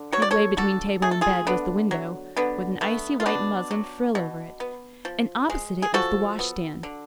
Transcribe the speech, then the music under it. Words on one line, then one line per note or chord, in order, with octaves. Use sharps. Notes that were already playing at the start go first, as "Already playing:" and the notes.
Midway between table and bed was the window, with an icy white muslin frill over it, and opposite it was the wash-stand.
Already playing: D3
F#3 C#5
D5
A4 C#5
D3 F#4 A4
A3 G#4
A4
F4 G#4
D3 B3
F#3
D3 B3
A3 B3
F4
B2 B3 D4
F#3
B2
B3
F3
G#3
G#4
F3 F#4 A4
B3
D3